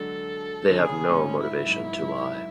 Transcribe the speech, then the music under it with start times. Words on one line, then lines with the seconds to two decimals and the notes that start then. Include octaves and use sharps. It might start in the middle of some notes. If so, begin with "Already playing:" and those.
They have no motivation to lie.
Already playing: D3 F#3 G#3 A4
0.70 D3
0.79 C#3 G#4
1.09 G#2 C#4
1.40 E4
1.66 F#2
1.69 G#2
2.01 F#2